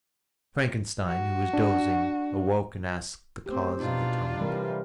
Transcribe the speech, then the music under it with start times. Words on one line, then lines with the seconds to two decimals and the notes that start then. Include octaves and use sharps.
Frankenstein, who was dozing, awoke and asked the cause of the tumult.
1.07 F#4
1.54 D4
3.46 A3 C4 G4
3.79 B2 D4 D#4 F4
4.38 C3 E3 G3 A#4